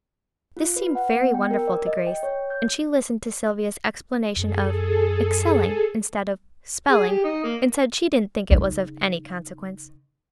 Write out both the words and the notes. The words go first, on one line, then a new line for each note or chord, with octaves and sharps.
This seemed very wonderful to Grace, and she listened to Sylvia's explanation of "excelling" instead of "spelling," and said she didn't think it was of any consequence.
F4
B4
F#5
B3
G5
A#4
D5
D#5
G5
C#5
G6
F#2 G#4 A4
G#4
G4
D#4
A#3
C#3 D#4